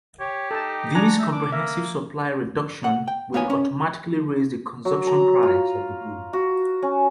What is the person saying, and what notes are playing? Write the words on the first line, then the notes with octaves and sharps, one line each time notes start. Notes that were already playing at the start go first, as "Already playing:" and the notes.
This comprehensive supply reduction will automatically raise the consumption price of the good.
G4 C#5
D#4 A4 A5
D4 F#4 D5 G#5 A#5
D#4 E5
D4 D6
A#3 A#4 E5
F#5
G5
A#3 B3 C#5 G#5
C#4
F#3
A#5
F4
F#4
C#4